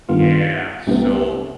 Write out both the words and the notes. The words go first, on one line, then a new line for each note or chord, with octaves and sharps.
Yeah, so
G2 D#3 B3 F4
C2 C3 G3 B3